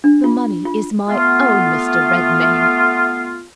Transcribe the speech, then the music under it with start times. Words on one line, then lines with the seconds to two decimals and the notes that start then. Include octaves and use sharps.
"The money is my own, Mr. Redmain."
0.04 D4
0.24 F4
0.65 F4
1.09 A3 B3 F4